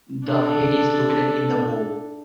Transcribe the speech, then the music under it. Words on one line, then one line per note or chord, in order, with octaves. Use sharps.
The head is located in the bow.
D4 A4